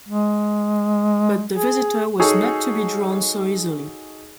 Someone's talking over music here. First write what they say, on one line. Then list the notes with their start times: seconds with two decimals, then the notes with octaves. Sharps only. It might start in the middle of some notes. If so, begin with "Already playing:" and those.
But the visitor was not to be drawn so easily.
0.08 G#3
1.53 G#4
2.20 D#4 F#4 G#4 A4 C#5